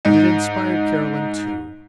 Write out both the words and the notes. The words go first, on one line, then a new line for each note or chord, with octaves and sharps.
And it inspired Carolyn too.
G#2 D#4